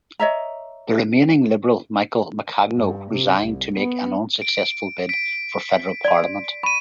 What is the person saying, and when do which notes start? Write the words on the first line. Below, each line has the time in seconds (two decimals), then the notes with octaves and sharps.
The remaining Liberal, Michael Maccagno, resigned to make an unsuccessful bid for federal parliament.
0.20 C#5 D#5 E5 A#5
2.76 G2
3.11 C3
3.40 C2
3.77 B3
4.42 D7
5.09 B6 D7
6.05 D5 C6
6.63 B5 C#6 D#7